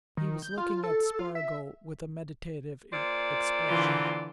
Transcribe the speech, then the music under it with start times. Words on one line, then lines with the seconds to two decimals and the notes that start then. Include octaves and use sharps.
He was looking at Spargo with a meditative expression.
0.17 D#3
0.42 G6
0.58 F4
0.84 A4
1.19 F4
1.35 E5
2.92 A#2 C5 D5
3.66 D3 E3 F4